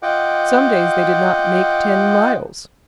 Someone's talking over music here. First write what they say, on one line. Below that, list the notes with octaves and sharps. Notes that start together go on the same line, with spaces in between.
Some days they did not make ten miles.
F4 D#5 F#5 G5 D6